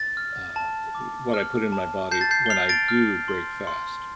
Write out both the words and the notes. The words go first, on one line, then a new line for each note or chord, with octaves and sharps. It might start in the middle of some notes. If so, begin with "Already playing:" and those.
uh, w what I put in my body when I do break fast.
Already playing: A6
F6
A5
D6
F6
A5
A5 G6 C7
A6
G6 C7
G7
F6 C7 F7
A6 D7
F6
C6
C6